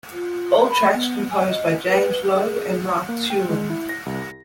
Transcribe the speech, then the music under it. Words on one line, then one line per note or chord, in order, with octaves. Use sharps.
All tracks composed by James Lowe and Mark Tulin.
F4
B5
B3
G#5
D#5
B4
G#4
A#3
G5
G#3
E4
A#6
C2
A#6